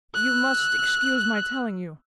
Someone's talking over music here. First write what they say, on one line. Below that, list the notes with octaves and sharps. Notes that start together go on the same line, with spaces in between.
'You must excuse my telling you.
E6 F#6